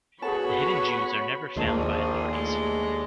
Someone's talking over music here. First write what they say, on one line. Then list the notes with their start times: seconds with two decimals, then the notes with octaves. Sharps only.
The hidden Jews are never found by authorities.
0.22 B3 F#4 G#4 A4 C#5 A5 B5 C#6
1.57 A#1 D#2 A#3 F4 G#4 D#5 A5
2.32 G2 G#3 A3 D5